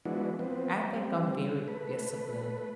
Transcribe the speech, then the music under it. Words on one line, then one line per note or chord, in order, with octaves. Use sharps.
I think I'm very disciplined.
F3 G#3 B3 D4 E4 F#4
F3 B3 C4
G3 C4
A3 B4